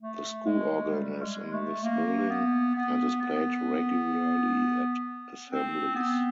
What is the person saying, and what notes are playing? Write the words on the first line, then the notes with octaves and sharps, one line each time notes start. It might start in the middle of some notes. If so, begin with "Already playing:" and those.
The school organ is in this building, and is played regularly at assemblies.
A3
G#3
G3
G#3
A3
A#3
B3
B3
B3
C4
B3